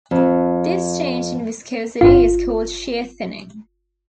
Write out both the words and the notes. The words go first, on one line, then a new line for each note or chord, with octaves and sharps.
This change in viscosity is called shear thinning.
F2
G1 F4